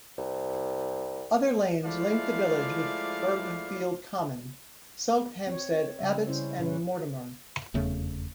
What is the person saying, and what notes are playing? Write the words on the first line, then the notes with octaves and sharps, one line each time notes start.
Other lanes link the village with Burghfield Common, Sulhamstead Abbots and Mortimer.
C2
F3 G#3 A3 E4 D5 F5
C4 C#5
C#3 G3 E5
C#3 C#4 E4 C5
A#2 C#4 B4
F1 E2 C#3 A3